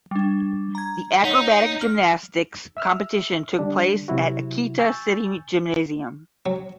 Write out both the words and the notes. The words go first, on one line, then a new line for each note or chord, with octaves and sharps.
The acrobatic gymnastics competition took place at Akita City Gymnasium.
G3 D4
A#5 G#6
D#4 C#5 F#5 B6
F6
E5 E6 F6
D3 G3 D4
C3 F#3 E4 F#4
G#5 C#6 E6 G6 A6
F#3